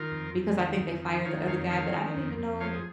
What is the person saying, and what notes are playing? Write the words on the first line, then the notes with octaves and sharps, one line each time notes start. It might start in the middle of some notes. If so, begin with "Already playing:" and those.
because I think they fired the other guy, but I didn't even know
Already playing: D#3 F4 A#4
F2
F2
D#3
F2
D#3
D#3 C#5 F5
F2 C#5 F5
D#3 C#5 F5
D#3
F2
F2
F3 C#5 F5
G#4